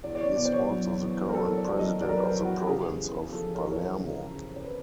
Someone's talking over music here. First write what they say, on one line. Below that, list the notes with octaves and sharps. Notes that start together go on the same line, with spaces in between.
He is also the current President of the Province of Palermo.
E2 D5
D5
C#5
B2 D5
C5
C#5
F#3
E2
A#4
F#3 A4
D5
F#3
D#5
F#3 D5
A#4
B4
C5
E2
F#4
G4
C#3 G#4
E2
F3 A4
A#4
E2
C#5
C5
C#3
C#3
C5
B4